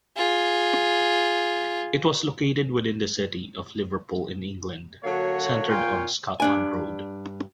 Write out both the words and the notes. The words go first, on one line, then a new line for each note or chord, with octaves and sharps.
It was located within the city of Liverpool in England, centred on Scotland Road.
F4 G#4
D3 F#3 A#3 F#4 C#5
A#2 F4 C#5 G5
G2 D4 G#5